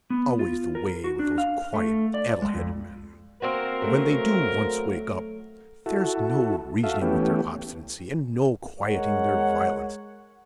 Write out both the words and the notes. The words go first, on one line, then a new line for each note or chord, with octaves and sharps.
It's always the way with those quiet addle-headed men: when they do once wake up, there's no reasoning with their obstinacy, and no quieting their violence.
B3
F4
A#4
F#4
D4
F5
A3
D5
G#3
F2
A#3 C4 F#4 A#4
F#3 A3
E4 F#4 A4
F#4 A4 E5 F5
E3 A3 B3 C#4 G4
G#3 A#4 C#5 F#5